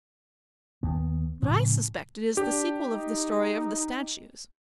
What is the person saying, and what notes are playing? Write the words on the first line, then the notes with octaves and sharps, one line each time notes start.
But I suspect it is the sequel of the story of the statues.
D#2 B3
A2 C#3 F3
D4 G4
D#4